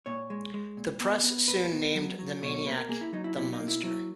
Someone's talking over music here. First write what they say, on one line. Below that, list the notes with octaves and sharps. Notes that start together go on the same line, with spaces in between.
The press soon named the maniac "The Monster".
A#2 C#5
G#3
G#3
A#2
B3
B3
A#2 B4
B3
F#3
F#3
B2 C#5
C#5
A#3 B4
A#4
A#3 G#4
E4
F#3 D#4
E4
B2 E4
D#4
A#3
E4
F#3 E4